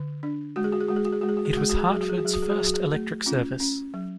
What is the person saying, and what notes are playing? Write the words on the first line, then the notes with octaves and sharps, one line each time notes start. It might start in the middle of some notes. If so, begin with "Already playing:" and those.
It was Hartford's first electric service.
Already playing: D3
D4
G#3 F#4
G#4
F#4
G#4
G#3 F#4
G#4
F#4
G#4
G#3 F#4
G#4
F#4
G#4
F#4
G#3 G#4
F#4
G#4
F#4
F#3 G#4
F#4
G#4
F#4
F#3 G#4
F#4
G#4
F#4
F#3 G#4
F#4
G#4
F#4
A3
C#4 F4
C#4
F#3